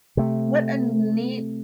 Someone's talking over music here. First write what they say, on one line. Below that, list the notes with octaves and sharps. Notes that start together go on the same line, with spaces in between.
What a neat
C3 A3